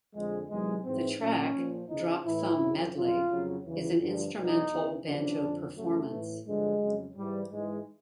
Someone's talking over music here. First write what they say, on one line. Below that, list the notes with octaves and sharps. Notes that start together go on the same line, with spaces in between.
The track "Drop Thumb Medley" is an instrumental banjo performance.
F2 D3 F3 G#3
E2 C3 D#3 F#3 G#3
G#2 E3 C4
A#2 F#3 C#4
A#2 F3
E2 C#3 F3 D#4
A2 E3 E4
F#2 C#3 F#3
F2 C#3 F#3 F4
F2 C#3 F#3
E2 C#3 E3
G2 D3 F3
E2 B2 F#3 D#4
E2 C#3 E3
E2 C#3 F3 D4
F2 D3 F3
F#2 C#3 F#3 A3
A2 E3
G2 D3 F3 G#3
F2 C#3 F#3
G#2 E3 G3
G#2 E3 G#3